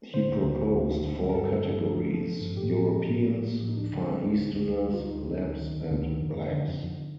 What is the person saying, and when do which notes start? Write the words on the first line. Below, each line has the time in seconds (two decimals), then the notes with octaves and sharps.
He proposed four categories: Europeans, Far Easterners, Lapps, and Blacks.
0.14 D3 C5
0.29 D2
0.43 D2
0.59 D2
0.74 D2
0.90 D2
1.04 D2
1.20 G3
1.29 A#4
1.34 G2 A4
1.50 G2
1.66 G2
1.80 F3
1.96 F3
2.11 F3
2.27 F3
2.41 G2
2.56 A2 G4
2.71 F3
2.86 F3
3.02 A2
3.17 F3
3.32 A2
3.48 A2
3.63 F3
3.69 D#4
3.77 D2 D4
3.93 D3
4.09 G3
4.23 D2
4.38 D3
4.54 D2
4.69 D2
4.84 G3
4.93 F4
5.00 D2 D#4
5.15 D2
5.30 D2
5.45 D2
5.61 D#3
5.75 D2
5.91 D2
6.06 D#3
6.21 F2
6.36 F2
6.51 D3
6.67 F2
6.82 F2